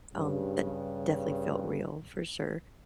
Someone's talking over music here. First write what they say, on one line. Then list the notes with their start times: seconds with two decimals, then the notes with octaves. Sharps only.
um, that definitely felt real, for sure.
0.14 G2 C#3